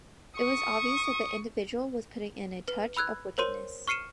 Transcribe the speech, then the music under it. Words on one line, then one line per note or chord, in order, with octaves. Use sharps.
It was obvious that the individual was putting in a touch of wickedness...
C#6 D#6
B4
B5 E6 F#6 G#6
A#4 C5 C#5 C6 D#7
C#6 F6 C7 C#7 D#7 E7